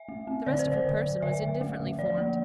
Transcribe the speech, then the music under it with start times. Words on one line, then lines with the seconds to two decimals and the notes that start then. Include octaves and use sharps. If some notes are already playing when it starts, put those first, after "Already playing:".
The rest of her person was indifferently formed.
Already playing: E5
0.09 A3
0.27 C4
0.46 D3 D5
0.59 C5
0.66 D3
0.72 D5
0.85 D3
1.04 D3
1.22 D3 E5
1.42 D3
1.61 A3
1.80 D3
1.99 F3 D5
2.18 A#3